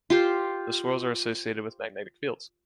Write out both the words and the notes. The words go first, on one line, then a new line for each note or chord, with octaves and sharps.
The swirls are associated with magnetic fields.
F4 G4 C5